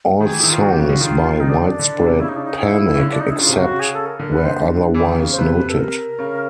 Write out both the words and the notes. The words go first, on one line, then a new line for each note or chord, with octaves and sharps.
All songs by Widespread Panic except where otherwise noted.
D#3 G#4
E3
D#3 E4
F4
F#4
G4
C#3 F#4
D3
D#3 F4
F4
D#4
D4
D4
D3
C3
C#3 E4
D#4
D4
D#4
E4
C#3
D3
D4
D#4
E4
C#3 F4
C3
G4
C#3 F#4
G#4
A4
A#4
D3 A#4
B4
C5
E3
D#3
C#3
C5
C3 B4
A4
A#4
C#3